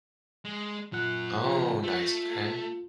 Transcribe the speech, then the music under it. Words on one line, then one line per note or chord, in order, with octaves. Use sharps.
Oh, nice, okay.
G#3
F#2 A#2 F4 F#5 F#6
F2 C#3 F4
A3 F4